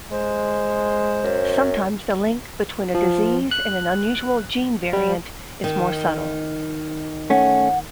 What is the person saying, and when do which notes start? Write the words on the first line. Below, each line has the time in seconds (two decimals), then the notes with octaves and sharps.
Sometimes the link between a disease and an unusual gene variant is more subtle.
0.11 G#3 C5
1.24 F#2
2.94 F3
3.51 F#6
4.93 G3
5.64 D#3
7.30 A3 C#4 F#5